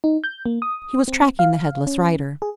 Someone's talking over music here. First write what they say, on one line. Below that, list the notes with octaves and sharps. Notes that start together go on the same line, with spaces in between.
He was tracking the headless rider.
D#4
G6
A#3
D#6
C4
F5
C#4
G#4